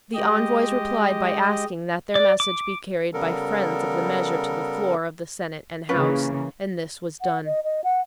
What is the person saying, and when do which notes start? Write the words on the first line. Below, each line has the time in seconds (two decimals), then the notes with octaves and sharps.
The envoys replied by asking that their message be carried by friends of the measure to the floor of the Senate and House, and this was done.
0.15 G#3 G4 D#5
2.15 D5
2.40 D6
3.13 C#3 G3 B3 A4 A#4
5.89 C#3 E3 A#3 C#4 F4 B4
7.22 F#5
7.45 D#5
7.64 D#5
7.84 F#5